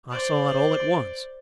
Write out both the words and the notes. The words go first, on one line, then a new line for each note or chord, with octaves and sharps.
I saw it all at once.
C5 D5